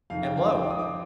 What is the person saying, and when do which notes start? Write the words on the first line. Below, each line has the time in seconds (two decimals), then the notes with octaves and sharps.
And lo!
0.10 F2 D#3 F5
0.23 G5
0.37 G5
0.50 G5
0.63 D6
0.71 D#6
0.79 D6